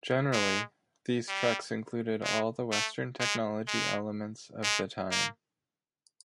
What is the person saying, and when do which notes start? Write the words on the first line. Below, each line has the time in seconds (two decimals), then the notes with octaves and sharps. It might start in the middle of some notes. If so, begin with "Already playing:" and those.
Generally, these trucks included all the western technology elements of the time.
0.32 G#3
1.28 G3
2.24 G#3
2.72 A3
3.20 G#3
3.67 G#3
4.63 G#3
5.11 A#3